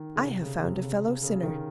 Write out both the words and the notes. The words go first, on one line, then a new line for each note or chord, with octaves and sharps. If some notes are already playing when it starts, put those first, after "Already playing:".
"I have found a fellow-sinner."
Already playing: D#3
C#3
C3
C#3
C3
C3
C#3
C#3
C#3
D#3